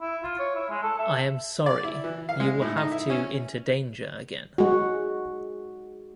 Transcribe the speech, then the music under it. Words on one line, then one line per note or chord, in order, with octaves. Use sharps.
I am sorry you will have to into danger again.
E4
F4
C#5
E4
G#3
A4
E5
D5
E4
E3
F5
G#3
A2
D#4
E4
C#4
G#3 F#4